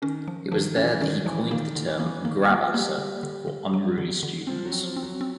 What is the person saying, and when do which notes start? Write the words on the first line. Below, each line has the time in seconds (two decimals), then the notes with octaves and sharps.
It was there that he coined the term "grabasser" for unruly students.
0.02 D#3 C#4
0.28 F3
0.52 D#3 F3
0.76 E3 C#4
1.01 D#3 C#4
1.26 E3 F3
1.51 D#3 A#3
1.76 D3
1.87 E3
2.00 A#3
2.24 D#3 A#3
2.49 F3 A#3
2.68 G#3
2.74 G3 A#3
2.98 D3
3.23 D3
3.48 D3
3.74 F#3
3.98 D3
4.23 D3
4.47 F3 C4
4.65 F#3
4.72 C4
4.84 F3
4.96 C4
5.02 F#3
5.21 C4